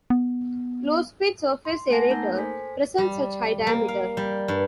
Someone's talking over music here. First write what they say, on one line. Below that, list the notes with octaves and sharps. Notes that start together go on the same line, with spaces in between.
Low speed surface aerator present such high diameter.
B3
C6
A3 B3 F#5 G#5 A5 A#6
A3 A#3 D#4 A#4 A#5 G6
A4 C5 G#5 B6
G3
A#3
F5
G3
G2